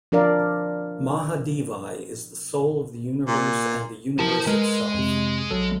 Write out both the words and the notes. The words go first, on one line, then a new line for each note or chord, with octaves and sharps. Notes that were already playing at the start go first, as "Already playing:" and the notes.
Mahadevi is the soul of the universe and the universe itself.
F3 D4 A#4 D5 F5
A#2
E4 G4 A#4 C5 A5
G#3 A#4 B4
F2 C3
A#1 F#3 A4